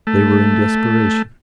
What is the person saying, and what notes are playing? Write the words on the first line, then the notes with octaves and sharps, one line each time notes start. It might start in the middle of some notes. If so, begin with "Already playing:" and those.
They were in desperation.
A3